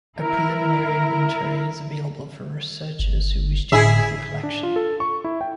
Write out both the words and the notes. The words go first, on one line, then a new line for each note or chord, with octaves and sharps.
A preliminary inventory is available for researchers who wish to use the collection.
E4 A#4
G1
A2 E4 G#4 E5
D4
F4
A4
C#6
E4
G5